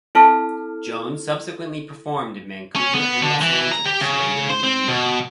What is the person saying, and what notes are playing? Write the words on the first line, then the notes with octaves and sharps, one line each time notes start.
Jones subsequently performed in Vancouver and Los Angeles later in the year.
C4 E4 A4 A5 F6
C#4
B3
D3
E3
A#5
G4
C#3
C5
C4
B2